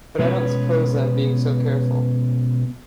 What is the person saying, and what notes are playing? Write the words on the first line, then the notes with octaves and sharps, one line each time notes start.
But I don't suppose I'm being so careful.
B2 G#3 B3 C#4 B4 C#5